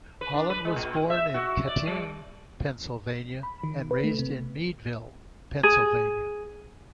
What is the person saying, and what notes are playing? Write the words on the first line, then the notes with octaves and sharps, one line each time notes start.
Holland was born in Kittanning, Pennsylvania and raised in Meadville, Pennsylvania.
B4
D4
B4
G#3
A#2
E5
F#4
D5
G3
B5
D#3
B4
A3
C3
G#4